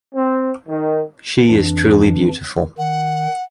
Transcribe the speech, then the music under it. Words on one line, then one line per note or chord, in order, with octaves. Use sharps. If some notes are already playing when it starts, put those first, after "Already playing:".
She is truly beautiful.
C4
D#3
F2 E3 D4
D#3 F#5